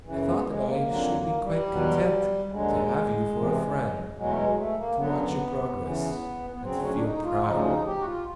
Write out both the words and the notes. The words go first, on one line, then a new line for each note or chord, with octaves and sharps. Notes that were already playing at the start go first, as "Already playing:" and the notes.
I thought that I should be quite content to have you for a friend, to watch your progress, and to feel pride in it.
F#2 C#3 E3
B3
G#3
A#3
F2 D3 F#3 A#3
A#3
G3
E2 B2 F#3
G3
D#2 D3 F#3 G#3
E2 C3 E3
E2 B2 F#3 G#3
A3
G#3
A3
A#3
F#2 D3 F#3 B3
E2 C#3 E3
B3
D2 C#3 F#3 C4
C#4
D4
D#4
F4
D2 C#3 F3 D#4
D#4
G4
F#4
F4